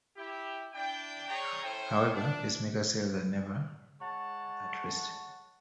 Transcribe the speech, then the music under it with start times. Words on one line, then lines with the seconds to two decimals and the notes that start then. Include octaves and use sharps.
However, pacemaker cells are never at rest.
0.17 E4 G4
0.73 D4 E4 D5 G5
1.28 G#4 C#5 D5 G5 A#5 C#6
1.62 C#4 E4 A4 C5 G5
2.13 D4
4.01 G#3 C#5 F#5 A5